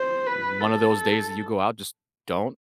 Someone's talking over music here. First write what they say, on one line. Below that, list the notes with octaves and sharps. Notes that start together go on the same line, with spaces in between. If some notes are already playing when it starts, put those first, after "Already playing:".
o one of those days that you go out, just don't
Already playing: C5
B4
A4